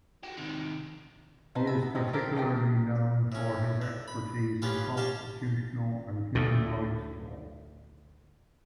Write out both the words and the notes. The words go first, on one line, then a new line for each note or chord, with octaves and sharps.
He is particularly known for his expertise in constitutional and human rights law.
F#4 G4
C3 D#3
D#4 B4 C5 A5
E5 B5
B3
F3 C4 C#4 D#4
C4 G4 A4 A#4
E3 A3 A#4 G5
A2 C#4
D3
B5
B3 C#4 F4 G4 B4
C#4 G4 F5 G5 A5
D2 A2